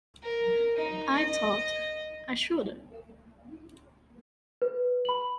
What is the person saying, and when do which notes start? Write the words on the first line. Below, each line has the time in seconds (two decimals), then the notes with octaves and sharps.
I thought I should.
0.23 A#4
0.76 D#4
1.13 D#5
4.62 B4
5.05 B5 F#7